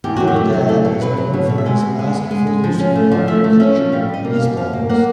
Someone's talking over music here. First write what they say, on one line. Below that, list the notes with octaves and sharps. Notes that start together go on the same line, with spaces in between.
Trinidad is known for his masterful use of popular culture in his poems.
E2 G4
F#3 F#4
G4
A3
F#3
A3 A4
B2
F#3 B4
F#3
B2 C#5
B2
E5
G#3 D#5
B3
G#3
B3
G#3
G#3
F3
C#4
A3
F3
A3 E5
A3
C#4 E5
F3
G3 F5
G3 D#5
A#3
F5
F#2
F#2 F5
A#3
A#3 F#5